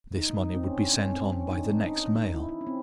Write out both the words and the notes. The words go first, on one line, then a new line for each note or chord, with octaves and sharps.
This money would be sent on by the next mail.
D#4
D#4
C4
C#4
D4
C#4
C4
C#4
D#4
D4
D#4
D#4
D#4
E4
E4
C#4
C4